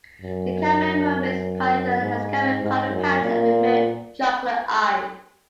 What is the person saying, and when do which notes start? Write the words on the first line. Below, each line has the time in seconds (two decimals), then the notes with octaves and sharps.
The caramel Burmese python has caramel-coloured pattern with "milk-chocolate" eyes.
0.21 F#2
2.01 G#2
2.62 G#2
2.91 F#2
3.21 A#2